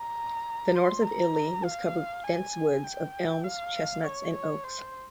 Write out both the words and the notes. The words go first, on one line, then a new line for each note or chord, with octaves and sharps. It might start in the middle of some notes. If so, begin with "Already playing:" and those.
The north of Italy was covered with dense woods of elms, chestnuts, and oaks.
Already playing: A#5
C6
A#5
F5
G#5
G5
F5
C#5
C#5
C5